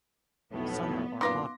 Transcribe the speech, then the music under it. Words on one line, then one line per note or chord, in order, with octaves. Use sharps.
Summer are hottest in month of May and June.
B1 F2 A2 B3
F#2 A#2 D#4 B4 F5 C6 D6 A#6